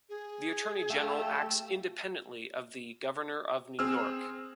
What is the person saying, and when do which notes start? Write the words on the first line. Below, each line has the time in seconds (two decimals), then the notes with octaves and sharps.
The Attorney General acts independently of the Governor of New York.
0.09 G#4
0.90 A3 G4 E5 F5 E6
3.79 C4 G#4 E6 F6